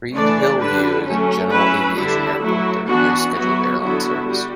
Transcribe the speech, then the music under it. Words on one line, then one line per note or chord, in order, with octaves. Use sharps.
Reid-Hillview is a general aviation airport; there is no scheduled airline service.
E3 A3 D4 D5
D3 G3 D4 B4
F#3 A3 C#4
F#3 C#4 E4 B4
D3 G3 D4 E4
F#3 A3 E4 F#4
E3 B3 D4 F#4
F#3 B3 E4 F#4
D3 F#3 B3 E4 F#4
G3 F#4